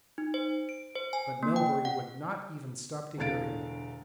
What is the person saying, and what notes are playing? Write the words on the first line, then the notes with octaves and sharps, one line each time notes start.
But Melbury would not even stop to hear him.
D#4
C5
D7
C5
G#5
A#3
G5
F#5
E1 E2 D3 F5 A6 D7